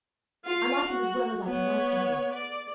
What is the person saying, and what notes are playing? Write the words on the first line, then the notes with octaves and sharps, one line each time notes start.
I like him as well as I can like any one.
F4 F5
F#4
B3 C#5
D5